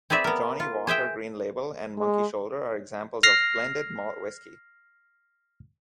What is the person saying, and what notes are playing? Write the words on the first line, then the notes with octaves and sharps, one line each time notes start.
Johnnie Walker Green Label and Monkey Shoulder are examples of blended malt whisky.
C4 G#4 B4 D5 E5
B3 A#4
F4
G#4 C5 E5 G5
G#3
F6 A#6 C7